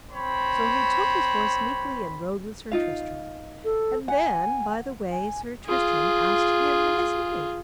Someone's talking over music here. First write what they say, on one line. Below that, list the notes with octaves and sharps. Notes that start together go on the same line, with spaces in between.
So he took his horse meekly and rode with Sir Tristram; and then by the way Sir Tristram asked him his name.
C4 C#5 B5
D#4 F4 F5
A4
F#5 G#5
G#5
F4 G#4